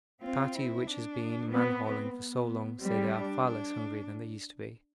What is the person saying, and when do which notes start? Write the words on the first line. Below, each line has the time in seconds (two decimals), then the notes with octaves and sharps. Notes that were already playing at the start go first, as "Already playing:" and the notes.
The party which has been man-hauling for so long say they are far less hungry than they used to be.
0.23 C4 F4
0.54 E4
0.87 D4
1.51 B3 C4
1.84 C4
2.17 B3
2.81 G3 C4
3.14 D4
3.47 D4